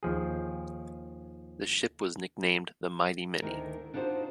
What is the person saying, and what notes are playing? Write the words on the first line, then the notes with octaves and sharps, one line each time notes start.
The ship was nicknamed the "Mighty Minnie".
D#2 F3 G#4
D2 D#3 E4 A#4
D4 D#4 F4 F#4 B4 C5